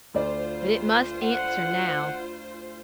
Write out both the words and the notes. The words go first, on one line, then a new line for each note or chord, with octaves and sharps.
But it must answer now.
D2 F4 C5 D5
F#5